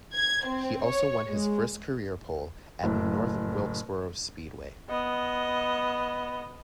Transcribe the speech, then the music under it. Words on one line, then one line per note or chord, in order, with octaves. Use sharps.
He also won his first career pole at North Wilkesboro Speedway.
G#6
C4
C#5
G#3
F#1 A2
B3 D#5